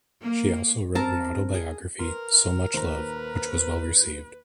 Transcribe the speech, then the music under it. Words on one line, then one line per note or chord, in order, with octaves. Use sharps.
She also wrote an autobiography, "So Much Love", which was well received.
A#3
C4 A#4 A5
G#4
A#4 B4 C6
D#2 A#2 B4 C5 A#5